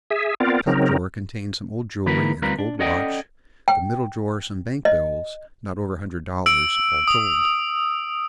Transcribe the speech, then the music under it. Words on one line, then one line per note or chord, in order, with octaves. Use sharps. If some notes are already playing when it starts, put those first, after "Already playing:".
The top drawer contained some old jewelry and a gold watch, the middle drawer some bank bills, not over a hundred dollars, all told.
G#4 E5
B3 C4 F4 A#4 D5
C#3 F#3 C4 D#4 A#4
D3 E3 A#3 A#4 B4
D2 G3 C4 F4 A#4 B4
D4
C#4 A4 D5 D#5 F#5 G5
G5
D#5
E6 D7
D#6